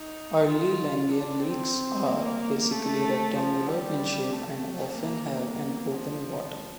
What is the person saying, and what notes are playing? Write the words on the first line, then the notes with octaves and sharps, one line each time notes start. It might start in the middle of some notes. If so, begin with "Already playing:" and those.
Early langeleiks are basically rectangular in shape, and often have an open bottom.
Already playing: D#4
F4
D4
C4
A#3
A3
F3
G3
A3
A#3
A#3
F3